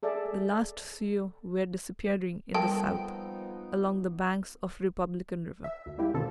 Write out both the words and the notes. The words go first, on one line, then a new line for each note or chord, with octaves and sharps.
The last Sioux were disappearing in the south, along the banks of Republican River.
G#4 A4 D5 E5
F3 G3 A#3 B3 D#4 A4 G5
E5
D2
G3 G#3 A#3 E4 G4
B2 D3 D#3 A#3 C4 A4